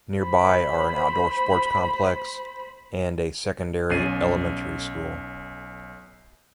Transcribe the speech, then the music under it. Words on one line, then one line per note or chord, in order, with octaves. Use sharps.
Nearby are an outdoor sports complex and a second elementary school.
C5 B5
B1 C#4 A6 C7 D#7